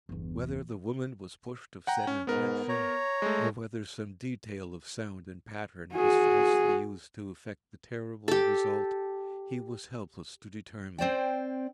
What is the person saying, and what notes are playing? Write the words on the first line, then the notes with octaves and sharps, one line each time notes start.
Whether the woman was pushed of set intention, or whether some detail of sound and pattern was falsely used to effect the terrible result, he was helpless to determine.
G1 E2
F#5 G5 A#5
C#4
G#2 B3 A#4
C#5 A#5
G#3 A3
F#4 G#4
G4 A4
C4 C5 D5 G5